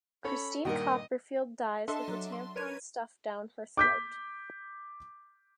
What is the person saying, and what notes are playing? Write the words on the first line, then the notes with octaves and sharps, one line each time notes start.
Christine Copperfield dies with a tampon stuffed down her throat.
C#4 A4 C#5 B5
G2 A#2 D#3 A#4 D#5 F#5 G5
D4 A4 D#5 E5 A5 C6
F#3
C6
A#4 B4 C#5 G#6 D#7
D6 G6 B6